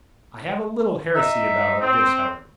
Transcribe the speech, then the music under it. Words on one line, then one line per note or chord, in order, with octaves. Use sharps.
I have a little heresy about all this, however.
D#4 E5
C4